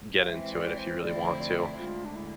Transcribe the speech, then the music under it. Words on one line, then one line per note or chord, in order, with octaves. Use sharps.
get into it if you really want to.
F5
E3 G#3 C4 E5
D5
C5
D3 F3 A3 C4 E4 D5
C5
D5
D2 D3 G#3 F4
D4
E4